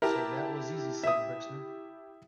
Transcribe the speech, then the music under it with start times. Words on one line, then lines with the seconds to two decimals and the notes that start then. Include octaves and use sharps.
So that was easy, said Brixner.
0.02 E4 G4 A#4 A5
1.04 E5 D#6